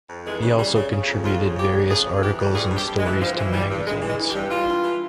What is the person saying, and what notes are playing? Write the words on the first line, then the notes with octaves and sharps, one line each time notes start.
He also contributed various articles and stories to magazines.
F2
E3 G#3
C#3
C#3 G3
C#3
C#3
F2
F2 F4
C#3
F2 G4
C#3
F2 G#4
F2
E3 G4
F2
G2 G#4
G2
G4
G2
G#3
E3
G2 F3
E3
E3 G3
G2
G2 G#3
E3
G#3
E3
G4
G2
E3 F4
G2
E3